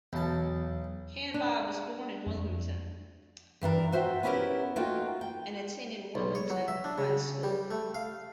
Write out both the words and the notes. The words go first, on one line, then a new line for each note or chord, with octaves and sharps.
Canby was born in Wilmington, and attended Wilmington Friends School.
B1 E2 A5
D4
F2 F3 A#3
G2 E3 D4 A#4
F#4 C5 E5 G5
B3 C#4 E4 G4 A#4
A3 A#3 D#4 F4 F#4 G5
G5
B1
C#5
F#3
E5
D4
C#3
G3
A3
F5